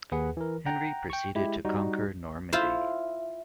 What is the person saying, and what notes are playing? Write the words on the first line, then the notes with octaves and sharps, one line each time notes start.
Henry proceeded to conquer Normandy.
D#2 G#4 B4 F#5
E3 A#4
F#5 G5 A#5
G5 C#6
G#3 E4 G4
G3 D#4 F#4
E4 F4 C5